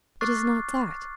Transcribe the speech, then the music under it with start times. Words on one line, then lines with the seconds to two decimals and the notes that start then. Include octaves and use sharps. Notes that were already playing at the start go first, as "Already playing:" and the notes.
"It is not that."
0.21 C#6 D6 F6 F#6 A6 C7